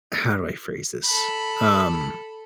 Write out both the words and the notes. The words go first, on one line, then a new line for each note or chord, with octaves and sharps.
How do I phrase this? Um,
A4 B5